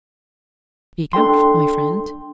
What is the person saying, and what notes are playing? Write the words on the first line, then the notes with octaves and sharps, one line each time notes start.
"Speak out, my friend."
D4 A4 G5 C6